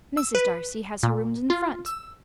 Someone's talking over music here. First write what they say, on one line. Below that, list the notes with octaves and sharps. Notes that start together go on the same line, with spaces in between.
Mrs. Darcy has her rooms in front.
E6
B4
A#2
F4
E6